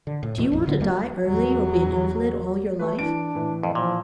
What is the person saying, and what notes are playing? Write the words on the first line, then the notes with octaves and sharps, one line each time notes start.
Do you want to die early, or be an invalid all your life?'
D3
A2
E2 B2
A1 F2
D1 D2 D3 B3
D#2 G3 A3 A#3
E2 F#3
A3 B4
E3 D4 D7
A2 E3
F2
A#2 F3